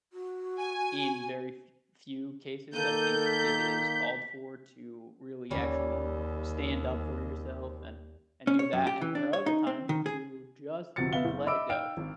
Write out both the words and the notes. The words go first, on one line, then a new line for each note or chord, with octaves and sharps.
in very f few cases, I think it is called for to really, actually stand up for yourself and and do that and there are other times to just let it go,
F#4
G#5
D#3 A#3 A4 G6 D#7
B6
D#2 G3 C#4
C#4
C#5
F#2
G4
E3
D4
C#5
D#4
C4
D#3
G#4
G1 F2 C3 F#4 A6 C#7
B3 E5 F5 G7
F#1
D#5 E5 B5 D6 E6 D7
D#4 F5 G5 F6 D7
G#1